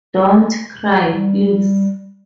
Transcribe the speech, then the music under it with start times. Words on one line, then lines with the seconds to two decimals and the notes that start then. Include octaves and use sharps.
Don't cry, please!
1.09 G3